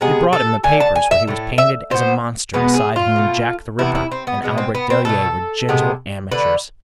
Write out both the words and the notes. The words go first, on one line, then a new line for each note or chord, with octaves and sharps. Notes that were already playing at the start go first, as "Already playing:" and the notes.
They brought him the papers, where he was painted as a monster beside whom Jack the Ripper and Albrecht Delier were gentle amateurs.
C3 G#3 B3 G#4
A4
D3 A3 G#5
A5
G#5
E5
A2 E3 A3
E5
B2 B3 C5
B2 G#3 B3 B4
G#4
F4
B2 A3
C3 E3 B3 E4
E4
C4
B3
B2 G#3 B3
C4
B3
C4
B2 A3 A4
C3 G#3 B3
D3 A3 B4